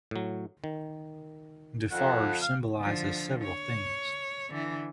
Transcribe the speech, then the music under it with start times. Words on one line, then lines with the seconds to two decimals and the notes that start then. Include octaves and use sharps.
Defarge symbolizes several themes.
0.11 A2 F#3
0.64 D#3
1.91 F2 F#5
2.41 F5
2.81 D3 F3
3.44 C#5
4.50 D3 E3